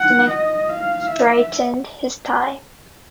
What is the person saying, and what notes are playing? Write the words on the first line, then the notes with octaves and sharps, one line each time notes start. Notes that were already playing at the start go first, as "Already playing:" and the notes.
Smith straightened his tie.
Already playing: F#5
D#5
F5
E5